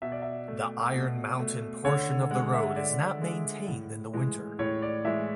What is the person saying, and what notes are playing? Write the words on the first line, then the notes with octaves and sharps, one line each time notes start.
The Iron Mountain portion of the road is not maintained in the winter.
B2 E5
D5
E5
A3
B2
A3
D3 C#5
G#3 F#5
E5
D3 D5
G#3
A2
E3 G#3
A2 C#5
D5
E3 G#3 E5